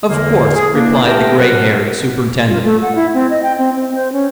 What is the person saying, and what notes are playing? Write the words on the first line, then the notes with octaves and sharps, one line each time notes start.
"Of course," replied the grey-haired superintendent.
E2 D3 A#3
G#4
E3 A#3 D4
A3 B3 G4 G#4 A#4 G5
F#2 C3 F#3 A#4 F#5
F4
A3
F#5
E4
C4
D#5
G5
C4
C4
C5
C#4